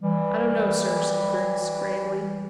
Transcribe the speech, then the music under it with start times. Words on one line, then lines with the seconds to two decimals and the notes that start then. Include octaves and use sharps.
"I don't know, sir," said Griggs gravely.
0.01 E3 G3